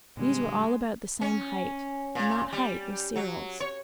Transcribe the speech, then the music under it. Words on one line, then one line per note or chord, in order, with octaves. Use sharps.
These were all about the same height, and that height was Cyril's.
A#2 D3 G3 G#3
C#4
A#2
G3
F#3
C#5